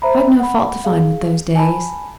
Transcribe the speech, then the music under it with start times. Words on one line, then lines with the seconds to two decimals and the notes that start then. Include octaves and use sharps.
'I'd no fault to find with those days.
0.02 C5 E5 A#5 B5
0.40 F#5 B5
0.85 G#4 F5
1.55 G#5 A5 B5